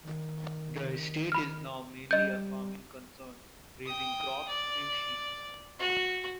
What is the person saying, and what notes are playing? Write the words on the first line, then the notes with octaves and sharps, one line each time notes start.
The estate is now mainly a farming concern, raising crops and sheep.
D#3
B5 F6
G3 D#5 G6
G5 D#6
D5
F#4